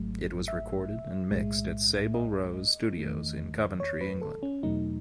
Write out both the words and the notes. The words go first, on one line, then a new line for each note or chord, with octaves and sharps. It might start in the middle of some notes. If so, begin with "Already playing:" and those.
It was recorded and mixed at Sable Rose Studios in Coventry, England.
Already playing: G#1 G#2 F#3 A3
E5
B1 A2 G#3
D#5
E2 D#3 A3
C#5
B4
A4
C#4
E2 B2 F#3 A3 D#4